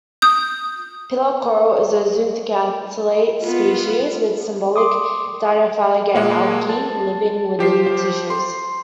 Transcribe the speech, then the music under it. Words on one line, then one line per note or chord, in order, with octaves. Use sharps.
Pillar coral is a zooxanthellate species, with symbiotic dinoflagellate algae living within the tissues.
D#6 G6
B3 F4
C6 D6 D#6
A#2 G#3 A#3
A5
F3 G4 C5 C7
C6